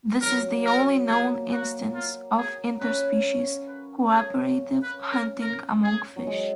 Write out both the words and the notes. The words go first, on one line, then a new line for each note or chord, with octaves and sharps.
This is the only known instance of interspecies cooperative hunting among fish.
F#3 A#4
A#4
A#3 G#4
F#4
F4
G#4
C#4 B4
B4
G#4
B4
A#4
A#4
G#4
F#3
G#3